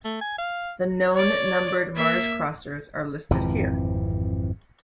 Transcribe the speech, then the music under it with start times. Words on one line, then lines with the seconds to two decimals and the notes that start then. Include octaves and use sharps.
The known numbered Mars-crossers are listed here.
0.04 A3
0.21 G#5
0.39 F5
1.13 C#5 D5
1.96 A#3 E5
3.31 G#1 F2 C3 E3